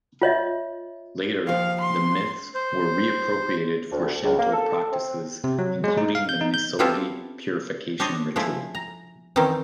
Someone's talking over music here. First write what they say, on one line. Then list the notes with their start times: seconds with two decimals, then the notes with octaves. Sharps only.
Later, the myths were re-appropriated for Shinto practices including the misogi purification ritual.
0.22 F4 C#5 D#5 E5
1.47 D#2 F3 F5
1.81 C6
2.55 C5
3.92 D2
4.24 C#2
4.38 A#3
4.52 A4
4.92 C4
5.44 C3
5.58 F#3
5.84 G#3
5.97 D#4
6.15 F5
6.29 G6
6.41 D#4
6.54 G6
6.79 B3 C4 E4 F4 G4 A4
8.00 D4 C5 C#5 D#5
8.36 F3 G#3 A3 E4
8.75 A#5
9.36 D#3 E3 C4 C#4 D#4